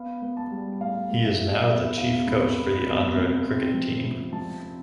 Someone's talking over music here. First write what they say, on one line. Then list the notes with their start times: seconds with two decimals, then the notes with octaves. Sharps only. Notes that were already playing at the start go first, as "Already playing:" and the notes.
He is now the chief coach for the Andhra cricket team.
Already playing: B3 F5
0.22 B3
0.37 A5
0.51 G3
0.81 A2 F5
1.10 A2
1.25 E5
1.40 A2
1.69 B3 E5
1.98 E2 F5
2.27 C3 B5
2.57 B3
2.86 B3
3.15 C3
3.45 C4
3.74 F3
4.03 C3
4.33 F3 A5
4.62 C4